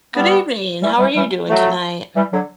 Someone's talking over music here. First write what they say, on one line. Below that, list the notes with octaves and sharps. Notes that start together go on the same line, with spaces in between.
Good evening, how are you doing tonight?
G3 B3
E3 G3
E3 G3
E3 G3
F#3 A3
E3 G3
D3 F#3